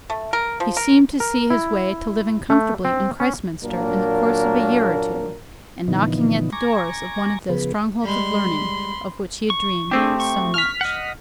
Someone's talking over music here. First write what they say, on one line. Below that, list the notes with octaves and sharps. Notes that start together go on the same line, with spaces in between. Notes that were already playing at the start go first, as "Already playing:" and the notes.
He seemed to see his way to living comfortably in Christminster in the course of a year or two, and knocking at the doors of one of those strongholds of learning of which he had dreamed so much.
A3
A#4
F3
A#4
A#4
E4
A3
C4
C#4
A#2 F#3 A#3 D4 A#4
A#2 D3 E3 F3 B3 D#4
G#5 A#5 C#6 D6 G#6 A#6
C#3 F3 B3 G#4 B4
G3 G#3 B5 C6
C#6
A3 C4 D4 G4 G#4
C#6
F6 B6
D#5 F#5